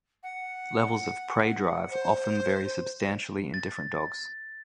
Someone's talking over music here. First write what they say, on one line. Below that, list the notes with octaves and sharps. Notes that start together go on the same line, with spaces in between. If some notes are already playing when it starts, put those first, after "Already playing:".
Levels of prey drive often vary substantially in different dogs.
F#5
C5
A6